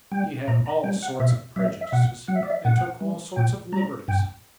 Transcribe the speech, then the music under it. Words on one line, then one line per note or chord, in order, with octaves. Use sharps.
He had all sorts of prejudices and took all sorts of liberties.
G3 G5
A#2 A#5
A#5
G3 G5
F#5
B2 E5
F#3 E5
E5
B2 F#5
F#3 F#5
E5
D5
E5
A#2 F#5
G3
A#2 G5
G3 A#5
G2 G5